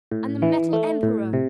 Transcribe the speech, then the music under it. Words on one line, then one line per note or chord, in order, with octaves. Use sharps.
And the Metal Emperor!
A2
E3
A3
A2
C3